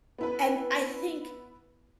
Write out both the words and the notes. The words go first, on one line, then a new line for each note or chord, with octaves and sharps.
and I think
B3 E4 B4